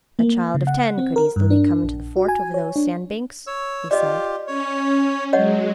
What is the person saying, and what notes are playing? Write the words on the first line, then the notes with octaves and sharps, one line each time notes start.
"A child of ten could easily come into the fort over those sand-banks," he said.
A#3
C#3
F#5
C4
A#4
G2
D4
A#1
F#4
G#5
C#5
D4
C#5 E6
F4 G4 D5 D#5
C#4 C#5
F#3 G#3 C#5 D#5 F#5